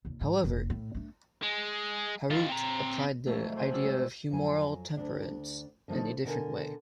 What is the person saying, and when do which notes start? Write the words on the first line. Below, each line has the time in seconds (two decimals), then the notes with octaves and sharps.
However, Huarte applied the idea of humoral temperaments in a different way.
0.05 F1 D#2
0.21 G#2 E3
0.44 F1 D#2
0.70 A2
0.95 A3 D4
1.43 G#3
2.30 D#3 F4
2.50 C4 A#5
3.26 F2 G#2 D#3 E3 F#3 A3
3.56 D3 C5 G#5
3.71 C3 F#3 F#4 D5 E6 F6
3.82 G#2 G#3
4.31 F2 F#3 G#5
4.97 D2 D4
5.88 D3 F3 G#3 A3 D#4
6.24 B2 D3 A#4 D#5 G#5